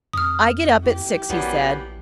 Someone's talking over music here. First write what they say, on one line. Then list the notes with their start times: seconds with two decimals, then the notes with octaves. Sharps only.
"I get up at six," he said.
0.13 F2 D#6 F6
0.81 E4 G4
1.30 A#1 F#2 G3 B3